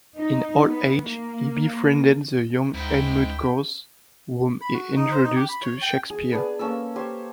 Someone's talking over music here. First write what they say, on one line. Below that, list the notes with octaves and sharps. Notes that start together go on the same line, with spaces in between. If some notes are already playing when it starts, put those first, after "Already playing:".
In old age he befriended the young Edmund Gosse, whom he introduced to Shakespeare.
D#4
B3
A#3
D2 G#2 E4 G5
B5
F#4
D#4
C5
D#4
G4
B5
C#5
G5
G#4
B3 D4 G#4
A#3 C#4 A4 E6
G4 C5 C#5